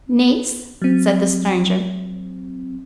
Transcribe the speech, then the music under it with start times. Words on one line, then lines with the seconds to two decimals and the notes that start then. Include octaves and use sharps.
"Niece?" said the Stranger.
0.82 F#3 C4